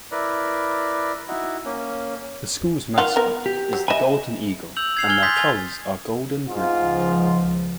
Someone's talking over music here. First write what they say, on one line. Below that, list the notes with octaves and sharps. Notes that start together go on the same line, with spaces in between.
The school's mascot is the golden eagle and their colors are gold and green.
E4 A#4 B4 D5
D#4 E4 F#4
A#3 C#4
D#3 F4 F5 F#5
B3 A#4
G4
F#3
D#5 E5 G#5 B5
E6 G6 F7 F#7
G#6 C7 F7
G#5 F6 G#6 G7
C6 D#6 G6 A6 B6
G#5 G#6 F7 G7
G#2 F4
C#2 F3